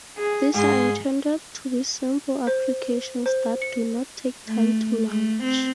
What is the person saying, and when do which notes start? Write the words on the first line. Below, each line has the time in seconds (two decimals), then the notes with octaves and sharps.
These are intended to be simple applications that do not take time to launch.
0.18 G#4
0.55 G#2 G#4 C6
2.47 C5
3.26 C5
3.62 C#7
4.46 A3
5.08 A3
5.43 C4